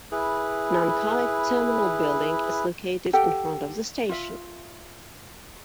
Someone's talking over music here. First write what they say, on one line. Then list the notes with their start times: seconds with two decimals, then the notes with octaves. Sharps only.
Nankai Terminal Building is located in front of the station.
0.12 E4 G#4 B4
3.13 G4 A4 F#5 G5
4.09 F4 E5